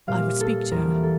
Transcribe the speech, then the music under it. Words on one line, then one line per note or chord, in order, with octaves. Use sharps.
I would speak to her.
A#2 G3 F5
A4
E2 E3 G3 A#4
A4